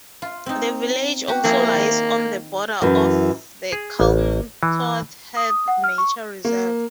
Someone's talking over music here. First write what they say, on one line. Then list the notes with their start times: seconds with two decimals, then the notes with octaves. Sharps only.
The village also lies on the border of the Kalmthout Heath nature reserve.
0.22 F4
0.46 C4 D#4
1.28 F#4 G4
1.44 F3 A#3 E4 G#4
1.74 D#3
2.82 F#2 E3
3.72 G#4
4.00 A1
4.63 E3
5.37 D#6
5.50 D#6
5.68 F#5
5.84 F6
5.98 C#6
6.45 A#3